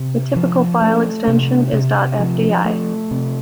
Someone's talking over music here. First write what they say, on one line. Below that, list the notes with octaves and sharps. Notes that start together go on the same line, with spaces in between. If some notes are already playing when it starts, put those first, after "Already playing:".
The typical file extension is ".fdi".
Already playing: C3
F3
A3
C3
C3
F3
A3
C3